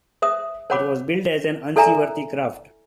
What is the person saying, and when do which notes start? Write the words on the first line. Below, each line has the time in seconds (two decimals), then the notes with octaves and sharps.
It was billed as an unseaworthy craft.
0.22 C5 E5 D#6
0.70 C5 C#5 F#5 B5 D6
1.76 E4 A4 D5 E5 G#5 A#5